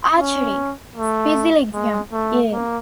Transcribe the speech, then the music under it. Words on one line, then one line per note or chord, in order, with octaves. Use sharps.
Achery, "Spicilegium", ii.
C#4
A3
G#3
A3
A#3